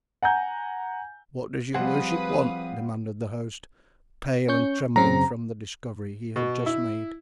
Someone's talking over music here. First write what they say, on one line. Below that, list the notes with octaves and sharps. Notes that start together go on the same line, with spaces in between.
"What does your worship want?" demanded the host, pale and trembling from the discovery he had just made.
F#5 G#5 A#5 G6
F3 G3 C4 G#4 B4 F5 F#5 D#6
C#4 C#6 G6
F#2 C#3 C4 A#5
B2
E4